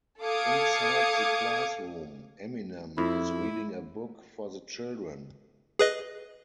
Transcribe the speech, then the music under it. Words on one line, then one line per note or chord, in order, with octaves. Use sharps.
Inside the classroom, Eminem is reading a book for the children.
A4 F5 D6 D#6 G#6 C#7
F2 E4
G#4 B4 D#5